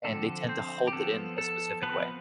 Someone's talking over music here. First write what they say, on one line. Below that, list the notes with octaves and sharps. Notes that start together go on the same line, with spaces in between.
and they tend to hold it in a specific way.
D3 F3 C4 A4
C4 C5
G4
F3 B3 A4
A4
F3 B3 C4 B4